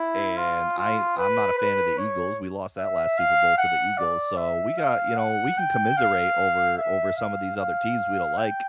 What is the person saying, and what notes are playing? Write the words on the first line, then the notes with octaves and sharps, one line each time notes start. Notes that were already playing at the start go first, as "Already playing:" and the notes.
and I I'm not a fan of the Eagles, we lost that last Super Bowl to the Eagles, so we got you know, we can commiserate over over some of these other teams we don't like.
Already playing: E4
F4
F4
B4
B4
C#5
E5
F5
F#5
D5
E5
F5
F#5
G5
F5
E5
F5
F5
G5